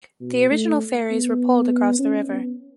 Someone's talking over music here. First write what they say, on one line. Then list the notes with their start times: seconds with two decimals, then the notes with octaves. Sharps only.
The original ferries were poled across the river.
0.21 B2
0.51 A3
1.11 B3
1.99 C#4
2.29 B3